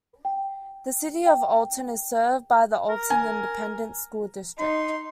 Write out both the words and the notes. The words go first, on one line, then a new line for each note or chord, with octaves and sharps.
The City of Olton is served by the Olton Independent School District.
G5
G5
A#4
G#5
D#4 C6